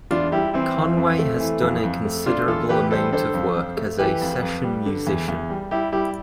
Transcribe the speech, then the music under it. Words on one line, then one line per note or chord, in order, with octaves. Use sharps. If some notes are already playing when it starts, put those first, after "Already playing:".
Conway has done a considerable amount of work as a session musician.
E2 D4 F4
G3 E4 G4
E3 C4 E4
F2
F2
A3
E3
F2
F2
A3
D3 D4 F4
E2 F4 A4
E2 G4 B4
G3 A4 C5
D3 A4 C5
F2
F2
A3
E3 G4 B4
F2
F2
G3
D3
E2
E2
G3
G3 E4 G4
G3 E4 G4